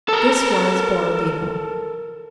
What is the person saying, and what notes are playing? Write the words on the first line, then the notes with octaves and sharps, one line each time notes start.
This was Borodino.
A4 A#4